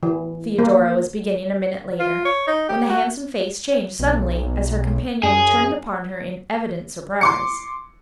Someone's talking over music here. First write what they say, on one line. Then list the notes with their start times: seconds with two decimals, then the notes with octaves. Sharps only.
Theodora was beginning a minute later, when the handsome face changed suddenly as her companion turned upon her in evident surprise.
0.03 E3
0.59 A#3
2.00 F4
2.25 C#5
2.47 D#4
2.69 G4
2.90 F#4
3.99 B1
5.23 F#2 G#4
7.21 C6 D6 C#7